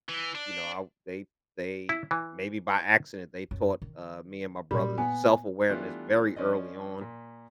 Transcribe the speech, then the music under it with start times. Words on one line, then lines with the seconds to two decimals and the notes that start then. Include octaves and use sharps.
you know, I they they maybe by accident, they taught, uh, me and my brothers self-awareness very early on,
0.09 E3
0.35 D4
1.89 E4
2.11 E3
3.51 F#2 C#4
3.82 D#3
4.71 A#2 G3 B5
4.98 B3 G#5
5.69 E3 G3 A3 B3 D4 F4
6.36 F3 C#4 D5 D#5
7.01 A#2